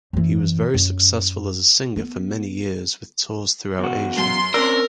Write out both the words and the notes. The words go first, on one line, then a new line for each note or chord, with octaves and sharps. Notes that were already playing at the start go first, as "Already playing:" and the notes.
He was very successful as a singer for many years with tours throughout Asia.
F#2 E3
F#2
B3
E2 F#4
F#2 C6
C4 C#4 A#4 D5 E6